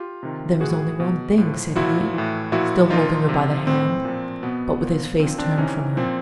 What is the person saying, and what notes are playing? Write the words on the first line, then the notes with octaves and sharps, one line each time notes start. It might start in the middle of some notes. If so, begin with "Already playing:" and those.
"There is only one thing," said he, still holding her by the hand, but with his face turned from her.
Already playing: F4 G4
C3 D#3
A2 E3 F#4 G#4
B2
A2 F3
A#2 F3 E4 F#4
A2 E3
A#2 F3 E4 F#4
A#2 F3 D#4 F4
C3 F3
A2 E3 C4
A#2 F3
B2 B3
A#2 F3
A#2 F3 C4
C4 D4
C3 E3 C#4 D#4
A#2 F3 C4